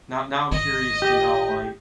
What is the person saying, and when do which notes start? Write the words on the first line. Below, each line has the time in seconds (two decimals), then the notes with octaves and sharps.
now now I'm curious to know, like,
0.51 G#1 D#5
1.02 G4